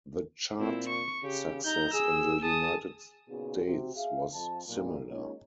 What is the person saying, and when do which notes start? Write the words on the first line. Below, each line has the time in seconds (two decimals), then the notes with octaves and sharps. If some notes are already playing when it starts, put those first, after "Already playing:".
The chart success in the United States was similar.
0.59 A#2 C4 E4
0.88 C#6
1.23 C#3 G4
1.64 D#4 A#5 G6
1.94 G#4 E6
2.42 G#4 A5 D#6
3.29 A#2 C#3 B3 D#4 F#4 G#4
3.66 C3 F#4 G4
3.95 G#4 E5 F5
4.33 F2 A5
4.68 B1 A#2
5.08 G#3 A#3 C#4 D#4 F4 C#5